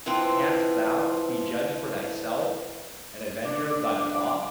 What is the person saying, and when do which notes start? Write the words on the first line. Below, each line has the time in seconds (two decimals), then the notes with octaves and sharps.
Canst thou be judge for thyself, and avenger of thy law?
0.06 E3 F3 C4
3.45 D4